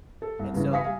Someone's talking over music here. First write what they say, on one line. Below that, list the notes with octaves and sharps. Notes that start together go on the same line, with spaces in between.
And so,
A4
C2
G2 C#3 E3
F5 G#5 D#6 A#6 B6 C#7
G3 F5 G#5